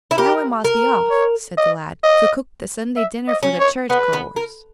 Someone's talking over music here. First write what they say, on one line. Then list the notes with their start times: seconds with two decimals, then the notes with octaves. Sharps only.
"Now I must be off," said the lad, "to cook the Sunday dinner for the church-goers."
0.11 E4
0.18 G4 A#4
0.64 A#4
1.11 C#5
1.57 D#5
2.04 D#5
2.97 E5
3.28 D#5
3.43 C#4
3.59 C#5
3.90 B3 B4
4.13 B3
4.36 A#4